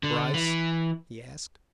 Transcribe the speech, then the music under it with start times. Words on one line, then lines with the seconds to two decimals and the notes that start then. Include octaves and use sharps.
"Bryce?" he asked.
0.03 D3
0.34 E3